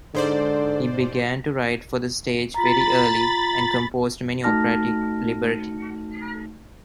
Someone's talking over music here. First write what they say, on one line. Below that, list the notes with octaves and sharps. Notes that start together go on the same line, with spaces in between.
He began to write for the stage very early, and composed many operatic libretti.
G#2 D3 C5 D5
F4 A#5 B5 A6
A3 D#4 F#4 A5 F6 A#6